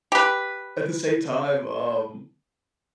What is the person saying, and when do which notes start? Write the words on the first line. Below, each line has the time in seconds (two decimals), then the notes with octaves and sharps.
at the same time, um,
0.12 G4 B4